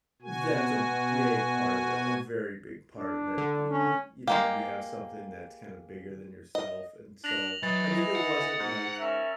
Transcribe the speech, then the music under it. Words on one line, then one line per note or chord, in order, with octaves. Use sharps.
That's a big part of it. A very big part of it. Y you know, you have something that's kinda bigger than yourself, and so I mean, it wasn't like
B2 F#4 G#5
D4
D3
C#4
G#3 A#3 G4 F5
D#5
D4 A#6 F7 F#7
E3 F#3 D#5 A6
F#5
G#2
C#4 A#4 E5